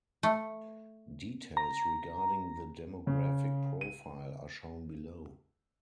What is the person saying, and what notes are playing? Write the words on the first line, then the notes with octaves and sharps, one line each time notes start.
Details regarding the demographic profile are shown below.
A3
A#5
C#3
D#7